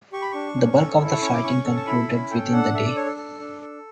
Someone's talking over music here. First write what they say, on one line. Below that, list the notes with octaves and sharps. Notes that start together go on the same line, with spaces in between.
The bulk of the fighting concluded within the day.
G4 C#6
B5
D4 C#6
C#4
A4
E4
C#6
C#4 C#6
D6
C#4 C#6
A4
A5
E4 B5
C#4
A4 G5
D4 F#5
A4 E5
D5
D4 C#5
A4
A4
D4
A4